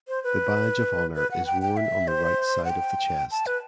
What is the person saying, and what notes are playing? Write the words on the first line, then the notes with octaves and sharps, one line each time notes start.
The badge of honor is worn on the right side of the chest.
C5
B4
B4
F#5
G5
G5
E5
C5
F#5
G5
A5
B4